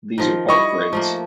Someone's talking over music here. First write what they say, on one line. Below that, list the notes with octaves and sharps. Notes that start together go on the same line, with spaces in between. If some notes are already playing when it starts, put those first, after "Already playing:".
These are called grades.
D#3 F3 F4
G3 E4 D#5 C#6
F3 A3 A#3